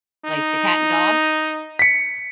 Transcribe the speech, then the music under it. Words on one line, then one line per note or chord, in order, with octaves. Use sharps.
like the cat and dog,
D#4
B6 C#7